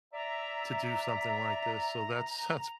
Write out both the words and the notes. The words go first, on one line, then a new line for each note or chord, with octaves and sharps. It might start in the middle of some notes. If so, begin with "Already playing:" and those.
to do something like this, so that's that's
D5 E5 A#5